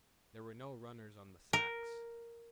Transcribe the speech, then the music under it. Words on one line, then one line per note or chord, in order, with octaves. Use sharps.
There were no runners on the sacks.
A#4